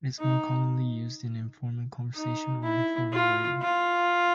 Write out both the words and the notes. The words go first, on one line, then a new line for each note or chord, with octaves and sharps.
It is more commonly used in informal conversations or informal writing.
D#4
D#4
E4
F4
F4